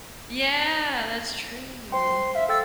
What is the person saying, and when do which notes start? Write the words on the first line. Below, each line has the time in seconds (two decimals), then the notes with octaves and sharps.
Yeah, that's true.
1.92 C5 G5 C6
2.35 E5 F5
2.49 A4 G5 E6 A6